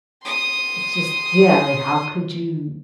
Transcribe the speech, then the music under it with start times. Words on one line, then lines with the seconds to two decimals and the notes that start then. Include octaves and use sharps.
it's just yeah, like, how could you
0.23 C6 D#6